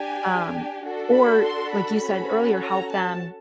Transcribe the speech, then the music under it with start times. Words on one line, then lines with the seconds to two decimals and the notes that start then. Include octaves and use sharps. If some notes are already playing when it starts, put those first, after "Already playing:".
um or, like you said earlier, help them
Already playing: D4 G4 G#5
0.84 D4 F#4 A4
1.14 B5
1.43 C6
1.73 B5
2.03 C#4 F#4 A4
2.61 A#5
2.91 A5